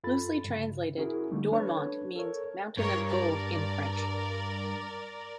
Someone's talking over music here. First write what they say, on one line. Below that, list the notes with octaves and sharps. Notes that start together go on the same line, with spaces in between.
Loosely translated, Dormont means "Mountain of Gold" in French.
F#2 F4 A4 B5 A6
G2 C#3
C#4 E4 F#4 G#4 A#4
D3 F3 G3 A3 A#3 D#4
C#4 D4 A4 B4 C#5
A4 A#4 C#5
G2 A#4 C#5
A#4 D5